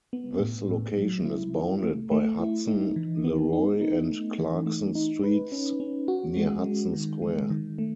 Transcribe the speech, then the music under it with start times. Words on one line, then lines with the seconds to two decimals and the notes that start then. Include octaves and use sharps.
This location is bounded by Hudson, Leroy and Clarkson Streets near Hudson Square.
0.13 B3
0.40 A2
0.69 A2
0.98 F#3
1.25 E4
1.55 E4
1.83 A3
2.12 A3
2.39 E4
2.68 D#4
2.96 E3
3.24 B3
3.53 D#4
3.81 D#4
4.10 A3
4.38 E3
4.66 A3
4.95 D#4
5.23 B4
5.52 C#4
5.80 C#4
6.08 F#4
6.37 G#3
6.64 G#3
6.93 D#3
7.22 G#3
7.50 D#3
7.78 A3